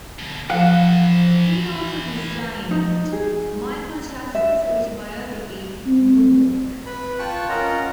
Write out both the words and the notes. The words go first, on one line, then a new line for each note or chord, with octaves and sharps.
He also designed Michael Jackson's autobiography, "Moonwalk".
D2 B2
E3 F3 A4 F5 F#5
D#4
G#4
E5
C4
B4 B5
F4 G5 A5 C#6 F#6
C#4 F4 A#4 D#5 F#5 A#5